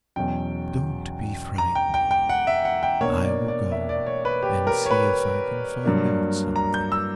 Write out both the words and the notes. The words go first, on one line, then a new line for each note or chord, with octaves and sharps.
'Don't be frightened; I will go and see if I can find out something.'
E2 B2 F#3 C#4 G5
A#5
G5
G5
G5
F#5
E5
F#5
G5
B2 A#3 D4 C#5
D5
D5
E5
D5
C#5
B4
G4
A#4
C#5
B4
G2 F#3 A#3 D4
A#5
G6
E6